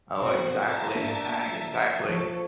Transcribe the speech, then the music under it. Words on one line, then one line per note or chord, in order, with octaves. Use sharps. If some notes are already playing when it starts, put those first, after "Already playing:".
Oh exactly, I exactly.
B2 C4 F#4
E5 A5 A#5
A#3 D4
F3 A4 C#5